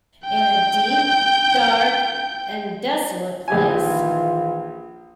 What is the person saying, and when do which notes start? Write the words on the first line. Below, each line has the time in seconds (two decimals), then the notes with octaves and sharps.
In a deep, dark and desolate place.
0.25 G5 G6
3.48 A#1 D#3 E3 F4 G4 G#5